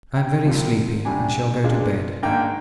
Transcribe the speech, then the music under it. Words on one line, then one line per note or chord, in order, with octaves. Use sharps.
I am very sleepy and shall go to bed....
G5
C2 C3 F3 C4 F4
D2 C3 G3 D4 G#5
A#2 G#3 D4 F4
G#2 D#3 A#3 D4 G5